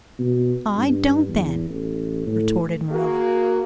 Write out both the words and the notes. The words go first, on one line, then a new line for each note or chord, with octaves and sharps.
"I don't then," retorted Marilla.
B2
G2
E2
A1
A2
A#3 F#4 G#4